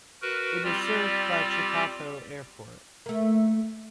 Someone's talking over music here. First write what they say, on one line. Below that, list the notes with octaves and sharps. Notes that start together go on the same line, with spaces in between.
It is served by Chitato Airport.
F#4 A#4 B4
G3 C4 F4 G4 D5
A3 A#3